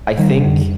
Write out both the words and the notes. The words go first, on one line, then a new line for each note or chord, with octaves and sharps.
I think,
D#3 G3
C3
F2 D3